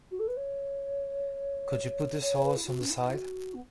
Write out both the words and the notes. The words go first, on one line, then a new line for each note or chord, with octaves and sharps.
Could you put the sauce on the side?
F#4
A4
B4
C#5
C#5
B4
E4
F#4
C#4
E4
E4
F#4
B3